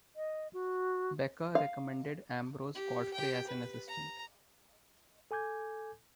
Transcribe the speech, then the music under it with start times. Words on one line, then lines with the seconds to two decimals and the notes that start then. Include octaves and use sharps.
Becher recommended Ambrose Godfrey as an assistant.
0.16 D#5
0.53 F#4
1.55 F5
2.75 G4
3.14 G4 G5
3.47 B4
3.87 A#5
5.31 A4 G#5 D6 G6 G#6